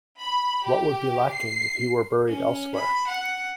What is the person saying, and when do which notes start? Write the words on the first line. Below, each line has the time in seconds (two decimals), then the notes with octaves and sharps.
What would be lacking if he were buried elsewhere?
0.19 B5
0.64 G4
1.31 C7
2.28 C#4
2.76 B5
3.08 F#5